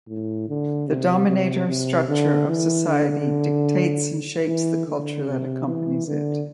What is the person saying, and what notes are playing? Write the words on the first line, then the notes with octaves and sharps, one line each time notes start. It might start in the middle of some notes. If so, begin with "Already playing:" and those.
The dominator structure of society dictates and shapes the culture that accompanies it.
A2
D3
C3
C3
C3
D3
E3
D3
E3
D3
C3
E3
D3